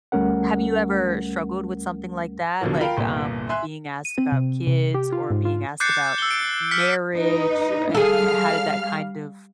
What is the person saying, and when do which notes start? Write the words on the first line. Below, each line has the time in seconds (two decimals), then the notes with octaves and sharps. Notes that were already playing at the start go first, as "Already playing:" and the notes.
Have you ever struggled with something like that? Like, um, being asked about kids, or being asked about marriage, o and, how did that kind of
0.12 D2 G3 A3 C#4 A#4 F#5
2.61 D#2 B2 D3 F3 F#3 A#3
2.81 F4 A#4 F5 G5 B5
2.97 G1 C2 A#2
3.49 E5 G#5 C6 F#6
4.05 D#7
4.18 C4
4.32 C3
4.67 C3
4.94 G4
5.12 F4
5.30 G#2
5.45 F4
5.80 D6 F#6 G6 A6 C7 C#7
6.18 E6 G7
6.31 D7
6.71 E6 F6 G6 B6 C#7
7.16 D#4 B4
7.95 G3 G#4 A4 F5 F6